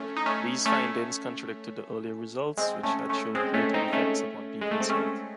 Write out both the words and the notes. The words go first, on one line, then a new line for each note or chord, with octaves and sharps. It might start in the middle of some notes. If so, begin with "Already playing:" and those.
These findings contradicted the earlier results, which had shown greater effects upon people's health.
Already playing: A3 C#4
D#4
A3 C#4
A3 C#4
G#3 C4
A3 C#4
A3 C#4
G#3 C4
A3 C#4
C4 D#4
A3 C#4
G#3
A3
C4
A3 C#4